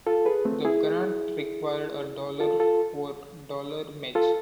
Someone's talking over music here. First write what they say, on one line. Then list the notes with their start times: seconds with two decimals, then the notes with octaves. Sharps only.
The grant required a dollar-for-dollar match.
0.07 F4 A4
0.26 G#4 B4
0.45 A3 C4
0.65 E4 G#4
2.40 F4 A4
2.60 F4 A4
4.15 F4 A4